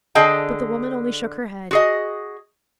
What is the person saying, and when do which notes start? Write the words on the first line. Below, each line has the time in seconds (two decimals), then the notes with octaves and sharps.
But the woman only shook her head.
0.15 D3 G#4 D#5 G5 A5
1.71 F#4 G#4 D#5